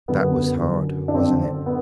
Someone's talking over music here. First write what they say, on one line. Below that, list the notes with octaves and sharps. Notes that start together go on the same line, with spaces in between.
That was hard, wasn't it?
F#2 D3 B3
F#2 D3
D4
F#2 D3 C4
B3